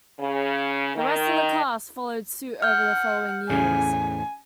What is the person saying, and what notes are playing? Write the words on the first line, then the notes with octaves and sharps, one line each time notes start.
The rest of the class followed suit over the following years.
C#3
D#3
F#5 F6 G6
E2 A2 C#3 G#5